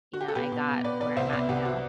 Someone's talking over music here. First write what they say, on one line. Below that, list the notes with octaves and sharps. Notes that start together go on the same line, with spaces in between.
you know, I got where I'm at now,
F#4
G4
A4
B2 G4 B4
B2
B2
B2 B4 D5
B2 B4 D5
C2 C5 E5
B2 B4 D5
C2 G4 B4
F#4